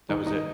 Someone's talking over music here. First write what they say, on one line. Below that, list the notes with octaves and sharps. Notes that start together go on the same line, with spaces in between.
That was it.
D#3 D#4
D#4